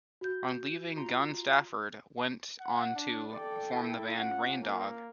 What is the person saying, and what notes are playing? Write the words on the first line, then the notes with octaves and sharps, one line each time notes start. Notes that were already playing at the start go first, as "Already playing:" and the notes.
On leaving Gun Stafford went on to form the band 'Raindog'.
F#4 G6
F4 A#5 C6
F#5
D4
A4 D5 G5
E4
C#4 F4 F#5
A#3